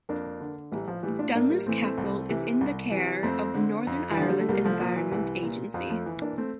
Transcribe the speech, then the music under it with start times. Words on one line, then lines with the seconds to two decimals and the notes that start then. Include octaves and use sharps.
Dunluce Castle is in the care of the Northern Ireland Environment Agency.
0.09 F2 A#3 D4
0.40 D3
0.72 A1 E3 G3
0.88 F3
1.03 A2 E3 G3
1.19 D4 F4
1.34 A1 A#3 D4
1.50 G3 A#3
1.66 A2 E3 A3 C4
1.82 A3 C4
1.98 C2
2.30 C3 E3
2.61 C2
2.91 E3
2.97 C3
3.23 F2 A3 C4
3.54 D3
3.87 F2
4.11 E3
4.17 D3 F3
4.30 G3
4.40 A3
4.49 C2 G3 A#3
4.64 F3 A3
4.80 A#2 F3
4.96 E3
5.11 C2 E3 G3
5.43 A#2
5.74 F2 F3
5.90 F3 A3
6.06 E3
6.22 A#3 D4
6.38 A3 C4